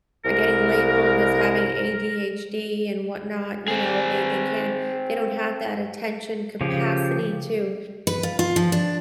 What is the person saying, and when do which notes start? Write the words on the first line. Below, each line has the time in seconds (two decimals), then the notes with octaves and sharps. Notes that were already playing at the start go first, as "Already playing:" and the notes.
are getting labeled as having ADHD and whatnot, you know, they they can't they don't have that attention capacity to
0.25 C2 A#4
3.68 C4 G#4
6.61 C#3 F3 G4
8.07 B4
8.23 F4
8.39 F4
8.56 F3
8.72 D4